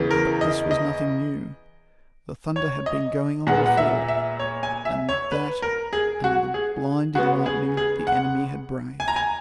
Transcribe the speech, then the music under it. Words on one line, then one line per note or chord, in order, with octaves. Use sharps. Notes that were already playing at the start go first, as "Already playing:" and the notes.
But this was nothing new: the thunder had been going on before, and that and the blinding lightning the enemy had braved.
Already playing: E2 C#3 E3 B3
A#4
D#5
D#5
C#5
D#5
A#2 G#3 B3 F#5
F#5
E5
E5
C#5
G#5
E5
C#5
B4
A#4
G#4
F#4
G#4
C#3 G#3 B3 F#4
G#4
G#4
F#5
G#5
A#5
G#5